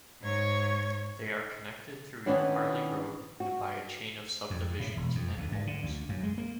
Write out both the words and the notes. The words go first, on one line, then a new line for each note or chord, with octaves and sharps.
They are connected through Euharlee Road, and by a chain of subdivisions and homes.
G#2 C#5
D#3 E3 B3 C#4 D4 E4
F#4
F2
A2
E1
F2
D2
G#2
D3
D2
F#2
G#3
A#3